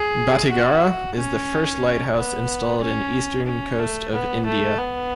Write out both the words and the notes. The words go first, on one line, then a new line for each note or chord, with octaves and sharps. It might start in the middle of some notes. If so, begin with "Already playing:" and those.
"Batighara" is the first lighthouse installed in eastern coast of India.
Already playing: G#4
F#4
C#4
B3
C#4
C#4
A3
B3
A3
B3